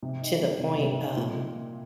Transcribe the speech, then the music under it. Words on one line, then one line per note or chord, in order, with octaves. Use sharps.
to the point, um
C3
D#4
G3
C3
C3
D#4
A#2